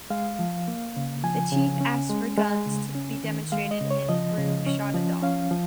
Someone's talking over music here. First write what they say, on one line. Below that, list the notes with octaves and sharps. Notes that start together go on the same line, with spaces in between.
The chief asked for the guns to be demonstrated and Roux shot a dog.
G#3 F5
F3
A#3
C#3
F3 G#5
C#3
C#4
G#3
G#3
C#3
C#4
D#3
G#3 F5
D#5
C#3
C#5
F3 D#5
C#3
C#4
F3
C#4 F5
F3